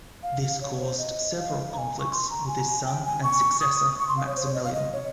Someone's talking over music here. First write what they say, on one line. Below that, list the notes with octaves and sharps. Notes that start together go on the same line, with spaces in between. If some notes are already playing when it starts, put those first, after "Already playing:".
This caused several conflicts with his son and successor Maximilian.
F5
F5
C#5
C5
D#5
F5
A#5
G#5
C#6
C6
A#5
G#5
G5
G#5
C#6
D#6
C#6
C6
F5
C#5
C5
C#5
D#5
F5
D#5
C#5